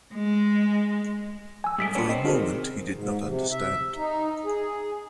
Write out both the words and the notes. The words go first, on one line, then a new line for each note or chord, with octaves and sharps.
For a moment he did not understand.
G#3
G#5 E6
G#2 G3 A3 D#6 B6 D7
B2 B3 D4 C#5 C#7
C4 D#5
C3 D#3 F#4 G#4 C5
G#2
C3
E5
D#4
G#4